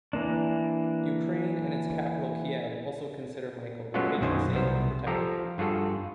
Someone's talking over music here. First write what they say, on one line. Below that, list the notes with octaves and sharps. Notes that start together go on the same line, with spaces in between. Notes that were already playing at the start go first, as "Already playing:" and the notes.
Ukraine and its capital Kiev also consider Michael their patron saint and protector.
E3 A#3 D4
F#3 G#3 A3 B3 C#4 F4
B1 F#2 B2 D#3 C5 G#5
C2 B3 C5
F3 F4 G4 A4 A#5
G2 F4 F#4 G#4 A4